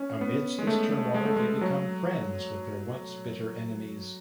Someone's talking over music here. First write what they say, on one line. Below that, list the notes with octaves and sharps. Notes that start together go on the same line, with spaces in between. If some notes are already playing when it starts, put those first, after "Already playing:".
Amidst this turmoil, they become friends with their once-bitter enemies.
Already playing: C#4
B3
G#3
A3
G#3
A3
G#3
F#3